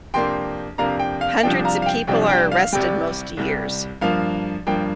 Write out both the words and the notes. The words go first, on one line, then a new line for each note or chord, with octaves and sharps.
Hundreds of people are arrested most years.
F2 C3 A#3 D4 G5 C6
F2 C3 A#3 D4 F5 A#5
G5
F5
C2 C3 F3 D4 G5
F5 A#5
F5
G5
C2 C3 F3 D4 G5
G5
F5
C2 C3 G3 G5
C2 C3 G3
G2 F3 A#3 F5
G2 F3 A#3 G5